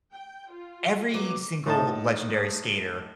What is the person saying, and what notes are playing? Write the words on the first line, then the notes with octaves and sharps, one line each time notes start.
every single legendary skater
G5
F4
F#3 A3 B3 D6
A2 D#4 A5